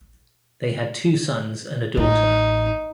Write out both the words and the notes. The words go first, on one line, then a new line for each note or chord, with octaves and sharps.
They had two sons and a daughter.
A1 D#4